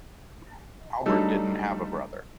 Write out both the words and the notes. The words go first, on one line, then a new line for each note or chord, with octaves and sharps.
Albert didn't have a brother.
F#3 G3 A3 D4 D#4 A4